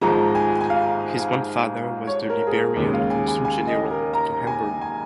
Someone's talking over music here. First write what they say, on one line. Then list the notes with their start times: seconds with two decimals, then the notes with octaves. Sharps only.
His grandfather was the Liberian consul-general to Hamburg.
0.01 G#1 G#2 F3 G#3 A#5
0.35 G#5
0.61 G#5
0.70 F5
2.07 C#5
2.30 A#4
2.47 G#4
2.52 A#4
2.76 D#2 C#3 G#3
2.93 F5
3.10 G#5
3.28 G#5
3.45 G#5
3.67 D#5
3.91 A#4
4.13 A#5
4.47 G#5
4.81 G#5